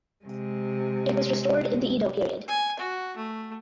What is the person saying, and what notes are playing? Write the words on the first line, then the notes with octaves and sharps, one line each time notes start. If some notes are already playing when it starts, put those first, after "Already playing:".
It was restored in the Edo period.
C3 G#3
G#5
F#4
A3